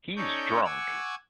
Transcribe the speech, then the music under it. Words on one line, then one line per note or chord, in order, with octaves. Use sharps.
He’s drunk.
C#4 D#4 A4 C#5 D5 G6
F#5 G#5 C#6 D6 E6 G#6